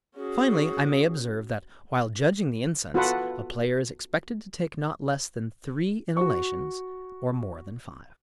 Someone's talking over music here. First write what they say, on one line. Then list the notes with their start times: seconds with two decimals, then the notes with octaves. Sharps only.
Finally I may observe that, while judging the incense, a player is expected to take not less than three inhalations, or more than five.
0.16 C#4 F#4 G#4
2.94 B3 F4 F#4 A4 B4 F#5
6.17 F#4 C#6